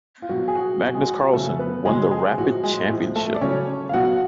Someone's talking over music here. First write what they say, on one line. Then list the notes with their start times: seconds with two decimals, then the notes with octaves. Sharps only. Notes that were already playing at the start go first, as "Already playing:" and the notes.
Magnus Carlsen won the Rapid Championship.
0.22 F4
0.29 B2 F#3 F#4
0.48 G#4
0.56 F#4
0.82 B2 F#3 F#4
0.94 G#3 G#4
1.07 F#4
1.21 F#4
1.33 C#3 F#3 A3 A4
1.59 B3 B4
1.85 C#3 F#3 G#3 G#4
2.11 G#3 G#4
2.38 A2 F3 F#4
2.63 G#3 G#4
2.90 A2 F3
3.16 A3 A4
3.34 D5
3.41 C#3 F#3 C#4 C#5
3.89 F5
3.93 B2 F#3 F#4 F#5